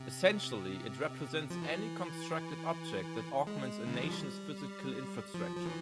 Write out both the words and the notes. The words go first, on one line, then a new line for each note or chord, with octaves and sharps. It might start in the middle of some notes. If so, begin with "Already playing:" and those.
Essentially, it represents any constructed object that augments a nation's physical infrastructure.
Already playing: C3
F3
E3
G#3
C#3
E3
F3
G3
F3
F3
E3